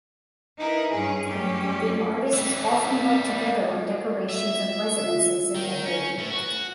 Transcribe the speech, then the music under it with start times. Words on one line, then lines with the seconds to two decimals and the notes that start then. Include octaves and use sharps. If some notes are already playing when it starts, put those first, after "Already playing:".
The artists often worked together on decorations of residences in The Hague.
0.57 D#4 E4 A#4 B4
0.90 G2 C#4 G#4
1.27 F#2 G3 A3 C#4 G4
2.33 E3 G3
4.29 E5
5.55 D#3
5.86 C#4
6.18 A2
6.31 F#4